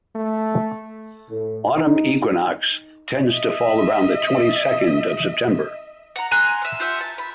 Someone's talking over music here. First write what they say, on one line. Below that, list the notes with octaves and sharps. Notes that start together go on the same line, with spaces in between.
Autumn equinox tends to fall around the twenty-second of September.
A3
A2
D#4
D#5 E5
F#5 A#5
G#5 A#5 C6 F#6
E5 F6
F4 G4 E5 F#5
A5
B5